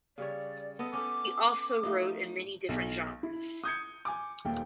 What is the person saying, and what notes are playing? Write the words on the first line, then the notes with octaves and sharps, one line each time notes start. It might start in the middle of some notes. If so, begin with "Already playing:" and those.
He also wrote in many different genres.
C#3 G3 C#5 D5
B3 A4 D#5
C#4 A4 D6
A2 F3 D#4
B1
E4
D#6 G6 G#6 C#7
G#5 D6
D#1 D#2 G5